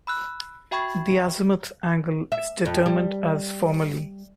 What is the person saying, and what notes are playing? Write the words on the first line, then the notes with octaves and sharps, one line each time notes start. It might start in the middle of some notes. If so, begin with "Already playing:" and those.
The azimuth angle is determined as formerly.
B5 E6 F#6
F#4 E5 G5 B5 C#6 G#6
E5
F2
G3